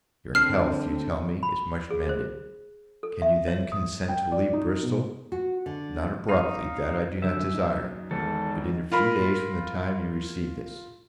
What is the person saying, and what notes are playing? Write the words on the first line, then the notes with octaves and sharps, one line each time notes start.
Your health, you tell me, is much mended:-Can you then consent to leave Bristol?-not abruptly, that I do not desire, but in a few days from the time you receive this?
D3 C4 F6 C7
B5
G#4
C5
A4
E5
C#5
D#6
G5
D5
D#4
B2
F#4
D3
D#4 F5
F#2 D3 E5
D#4
G#1 E2 A4
F4 A#4 B5